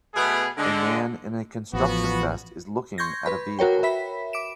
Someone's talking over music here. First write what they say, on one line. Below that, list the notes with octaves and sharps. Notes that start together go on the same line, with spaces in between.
A man in a construction vest is looking at a vehicle.
B2 A3 B3 G#4
D3 G#3
A1 F3 B3 F#4
C6 C#6 G6 G#6 A#6
B4 B5
F#4 A#4 C#5 G5
E5 B5 B6
D6 D7 E7